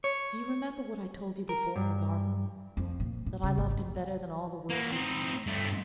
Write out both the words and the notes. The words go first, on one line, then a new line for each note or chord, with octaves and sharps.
Do you remember what I told you before, in the garden; that I loved him better than all the world besides?
C#5
A#4
G2
F2
A#2
A#2
C#3
G#1
F2
A#3 F#4
C4 D#4
G2 A3